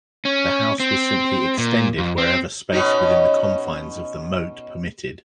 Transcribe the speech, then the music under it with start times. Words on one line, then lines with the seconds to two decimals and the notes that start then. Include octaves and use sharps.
The house was simply extended wherever space within the confines of the moat permitted.
0.25 C#4
0.80 C4
1.58 A#2
1.98 F2
2.18 C4
2.72 B2 C#4 D#4